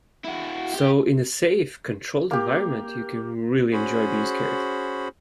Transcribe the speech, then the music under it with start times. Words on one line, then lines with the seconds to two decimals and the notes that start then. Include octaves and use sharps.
So in a safe, controlled environment, you can really enjoy being scared.
0.24 E4 F#4
0.74 G4
2.31 A#3 G4
3.73 C#4 F#4 G#4 C5 B5